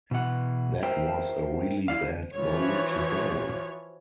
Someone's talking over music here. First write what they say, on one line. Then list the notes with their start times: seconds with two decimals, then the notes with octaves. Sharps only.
That was a really bad bowl to bowl.
0.11 B2 E3 F#5
0.83 A#4 C5 E5 G5
1.88 E4 D5 F5
2.35 E3 F3 F#4 C#5